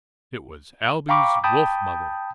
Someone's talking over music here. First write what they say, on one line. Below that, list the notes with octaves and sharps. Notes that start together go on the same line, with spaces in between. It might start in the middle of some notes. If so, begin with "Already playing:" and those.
It was Ailbe's wolf-mother.
F5 G5 A#5 B5 C#6 D6
G5 A5 B5 D#6 G6